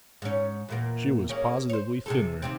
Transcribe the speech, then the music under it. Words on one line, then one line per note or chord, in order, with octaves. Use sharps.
She was positively thinner.
G#2 C#4
E2 A#2 A#3
A#3 C#4 G#4
C5 C#5
C3 G#4 A4
D#2 C3 C4